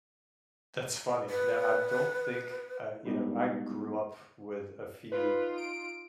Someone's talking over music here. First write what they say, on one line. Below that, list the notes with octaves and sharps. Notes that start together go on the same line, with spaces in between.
That's funny. Now, I don't think uh, you know, I grew up with a few,
B4
G3 G#3 B3 D4 D#4 G4
D#4 F4 B4
D7